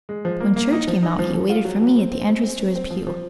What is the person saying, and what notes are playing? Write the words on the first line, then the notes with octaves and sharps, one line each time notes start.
When church came out, he waited for me at the entrance to his pew.
G#3
F3
A#3
A#3
D#4
F3
D#4
F3
F3
F4
F#3
F#3
C4
C4
C4
C4
C4
C4
F3
F3